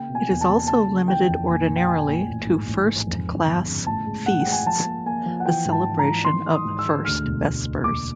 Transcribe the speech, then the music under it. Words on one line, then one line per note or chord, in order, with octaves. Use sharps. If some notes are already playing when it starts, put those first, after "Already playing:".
It also limited ordinarily to First-Class Feasts the celebration of First Vespers.
Already playing: C#3 A#3 G5
B2
G#5
E2
A5
A#3
C#3 A5
C#3
E3 G5
F2
A#1 G#5
A#2
G5
A#2 G#5
A#1
A1
G#2
A1
G#2
F2
F2
G1
C#3
A2 A5
G#3
A2 F#5
G5
G#3
G#5
F3 A5
A#3
A#3 G#5
F3
F#5
E3 G5
G#2
A5
E3
A#5
E3
D#3 C6
D#3
D#6
G#2
E6
G#3
D2 F6
E1
D2
E1
A#2 D6